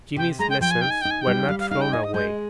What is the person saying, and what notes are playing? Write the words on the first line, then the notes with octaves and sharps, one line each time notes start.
Jimmy's lessons were not thrown away.
C3 G5
G#3 A#5
G5
F3 G5
G#5
D#4 G5
G#5
D#4 G5
G#5
G5
G3
G3 F5
F5
D#4 F5
G5
D#5 G#5
D#6
G#3 G6